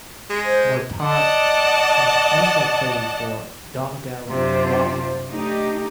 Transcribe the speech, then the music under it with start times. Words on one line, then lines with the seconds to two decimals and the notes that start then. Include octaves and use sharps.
Murtagh has also played for Donegal Boston.
0.30 G#3
0.45 C5
1.03 D5 D#5 F#5 A5
4.30 F#2 C3 D4 F4 C5
5.31 A3 D4 D#4 G4